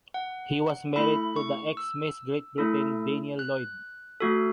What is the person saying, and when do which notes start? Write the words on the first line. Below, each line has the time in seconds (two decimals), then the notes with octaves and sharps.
He was married to the ex-Miss Great-Britain Danielle Lloyd.
0.14 F#5
0.96 A3 E4 A4 B5
1.36 C#6
1.77 E6
2.58 A3 E4 A4
3.39 F#6
4.21 A3 F#4 A4